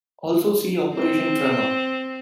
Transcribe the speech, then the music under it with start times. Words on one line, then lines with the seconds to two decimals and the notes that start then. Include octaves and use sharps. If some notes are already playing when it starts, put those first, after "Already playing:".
Also see Operation Tremor.
0.93 C4